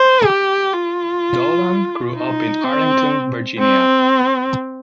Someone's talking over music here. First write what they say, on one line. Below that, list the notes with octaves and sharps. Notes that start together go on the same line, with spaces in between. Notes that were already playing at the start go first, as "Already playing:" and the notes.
Dolan grew up in Arlington, Virginia.
Already playing: C5
G4
F4
D#4
C4
C4